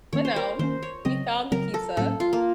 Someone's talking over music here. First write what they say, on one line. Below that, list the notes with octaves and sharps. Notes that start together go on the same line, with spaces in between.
But no, we found the pizza,
D#3 A#3 C#4 C#5
C5
A#4
D#3 A#3 C#4 C5
C#5
C#3 F#3 C4 D#5
C#3 F#3 C4 A#4
A4
A2 F#3 A#3 C#4 A4
F4
A#3